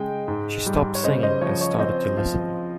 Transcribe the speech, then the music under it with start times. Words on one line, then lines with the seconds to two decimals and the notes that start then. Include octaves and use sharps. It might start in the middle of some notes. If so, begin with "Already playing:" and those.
She stopped singing and started to listen.
Already playing: C#3 G#3 D#5 G5
0.28 G#2
0.66 G3
0.95 C#5
1.03 C#3 C5 D#5
1.23 C5 D#5
1.41 F3 C#5
1.61 C#5
1.79 C4 C5 D#5
2.17 F3